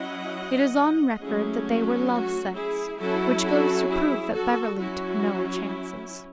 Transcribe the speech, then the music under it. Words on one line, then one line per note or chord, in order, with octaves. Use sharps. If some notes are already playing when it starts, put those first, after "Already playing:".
It is on record that they were "love" sets, which goes to prove that Beverly took no chances.
Already playing: F#3 C#4 E4 D#5 F#5
F#3 A3 C#4 E4 G#4
F#4
F#4
E4 G#4
F#3 C#4 E4 F#4 A4
F#4 A4
E4 G#4
F#4 A4
F#3 C#4 E4 F#4
E4